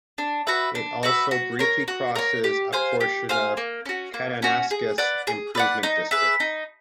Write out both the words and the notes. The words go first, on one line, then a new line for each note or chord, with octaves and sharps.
It also briefly crosses a portion of Kananaskis Improvement District.
D4
F#4 B4 E5
D4
F#4 B4 E5
F#4
A#4 C#5
F#4
A#4 C#5
G4
C5 F5 G#5
G4
C5 F5 G#5
A#3
C#4 F#4
A#3
C#4 F#4
G#4
B4 D5 F#5
G#4
B4 D5 F#5
D#4
G#4 B4 E5
D#4